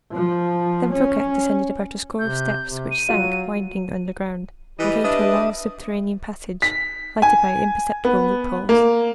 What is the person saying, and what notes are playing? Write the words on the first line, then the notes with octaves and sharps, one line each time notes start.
Then Fouquet descended about a score of steps which sank, winding, underground, and came to a long, subterranean passage, lighted by imperceptible loopholes.
F3
C#4
C3 G6
C3
D#7
F#3 F4 F#4
E3 G3 D#5
D4 B4 E5 D#6
B6
G#5
B3
A#3